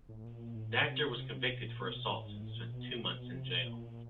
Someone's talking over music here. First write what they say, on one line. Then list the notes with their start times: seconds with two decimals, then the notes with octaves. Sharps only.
The actor was convicted for assault and spent two months in jail.
0.09 A2
0.24 A#2
0.55 A2
0.85 C3
1.16 C3
1.48 B2
1.63 A#2
1.79 B2
1.95 B2
2.11 A2
2.25 G#2
2.42 A2
2.56 A#2
2.72 B2
3.03 B2
3.34 C3
3.51 B2
3.66 A#2